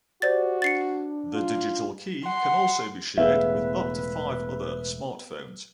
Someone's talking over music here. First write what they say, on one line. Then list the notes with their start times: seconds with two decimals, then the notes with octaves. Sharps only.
The digital key can also be shared with up to five other smartphones.
0.22 F#4 G4 C5 D5 A6
0.62 D4 A6 C7 C#7
1.33 F4
2.25 F#5 C6
3.18 E1 A2 B3 G#4 B4 E5 F5